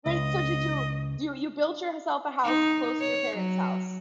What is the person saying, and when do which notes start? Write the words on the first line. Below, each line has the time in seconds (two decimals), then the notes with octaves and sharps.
Wait, so, did you do you you built yourself a house close to your parents' house?
0.06 C#2 D#5
2.44 D#4
3.00 C#5
3.36 F#3